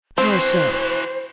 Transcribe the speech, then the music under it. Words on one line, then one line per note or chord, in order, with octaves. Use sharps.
"How so?"
E3 C4 F#4 C5